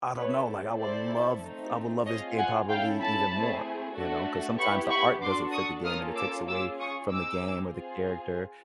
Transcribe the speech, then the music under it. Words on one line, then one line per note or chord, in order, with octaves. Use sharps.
"I don't know, like, I would love I would love this game probably even more," you know? 'Cause sometimes the art doesn't fit the game, and it takes away from the game, or the character,
A3 C4 E4 A4 B4 C#5
C4 E4 A4 C5 D5
A3 C4 D#4
C4 F4 G#4 C#5 D#5
F#5 G#5
C#4 E4 A4 F5 G5
A5 B5
A3 C4 E4 G#4
A3 D4 F#4 A4
B3 E4 G4 B5 C#6
B5 C#6
D4 F#4 A4 C6 D6
C#6 D#6
A#3 C#4 F4 A4 D#6 F6
D6 E6
C#4 F4 G#4 D6 E6
C#6 D#6
C4 D#4 G#4 D6 E6
C4 F4 G#4